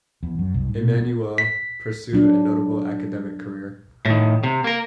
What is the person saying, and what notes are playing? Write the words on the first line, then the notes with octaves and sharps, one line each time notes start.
Emmanuel pursued a notable academic career.
E2
F#2
C2
G#2
B2
B3
B6
F#3 D4
A2 D#3
C3
A#3 A#4